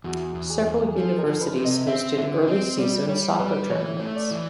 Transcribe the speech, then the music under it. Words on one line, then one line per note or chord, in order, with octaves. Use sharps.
Several universities hosted early season soccer tournaments.
E2 F#4
E2
G#4
E2
G#4
F3 A4
A#4
F3
B4
C3
D#5
C4 E5
D3 E5
C4 D#5
G3 D5
G3 C#5
G3 B4
E3 C#5
A3
D5
E3